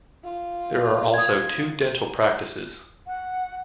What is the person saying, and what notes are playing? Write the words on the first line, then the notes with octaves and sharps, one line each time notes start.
There are also two dental practices.
F4
D#6 G#6
F#5